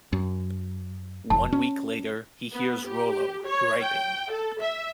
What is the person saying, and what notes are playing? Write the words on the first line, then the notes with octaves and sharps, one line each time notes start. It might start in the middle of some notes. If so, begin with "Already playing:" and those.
One week later, he hears Rollo griping.
F#2
F1 A5
C#4
B3
G4
C#5
G5
A4
E5